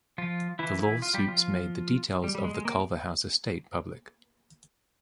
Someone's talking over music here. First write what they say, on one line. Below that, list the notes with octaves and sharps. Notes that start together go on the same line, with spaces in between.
The lawsuits made the details of the Culverhouse estate public.
F3 F4
E3 E4
E3 E4
F4
G3 G4
F3 F4
G3
G3
G#3
G#3
A#3